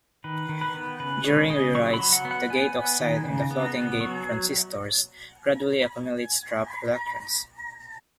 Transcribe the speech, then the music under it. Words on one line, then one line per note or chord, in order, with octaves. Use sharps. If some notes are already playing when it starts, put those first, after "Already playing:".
During rewrites, the gate oxide in the floating-gate transistors gradually accumulates trapped electrons.
D#3 B4
D#3
B4
B3
C#3 B4
G#3 C#5
C#3 D#5
F#3 C#6
B5
F#3
F#5
B3
F#5
B3 G#5
B3
D#3
C#3
B3
B3
F#3 C#6